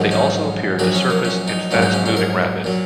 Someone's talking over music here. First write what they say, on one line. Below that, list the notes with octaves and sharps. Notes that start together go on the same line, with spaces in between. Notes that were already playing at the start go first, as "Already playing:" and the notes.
They also appear to surface in fast-moving rapids.
Already playing: A#1 G#2 D#3 F#3
C#4
A#1 A#2 F#3 F#4
C#4
A#3
C#4
D#4
A#1 G#2 F#3 C#4
D#4
C#4
C#4
A#4
A#2 F#3